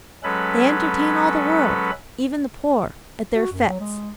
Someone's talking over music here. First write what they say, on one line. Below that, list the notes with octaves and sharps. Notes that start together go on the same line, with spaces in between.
They entertain all the world, even the poor, at their FETES.
F#3 G#3 C#4 A4 B4 B5
F#4
F#2
F#3
G#3